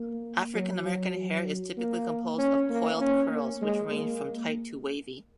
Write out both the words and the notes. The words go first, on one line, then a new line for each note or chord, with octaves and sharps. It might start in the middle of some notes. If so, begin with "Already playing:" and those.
African-American hair is typically composed of coiled curls, which range from tight to wavy.
Already playing: A#3
F#3
F#3
F#3
A#3
C#4
A#3
C#4
A#3
G#3
A#3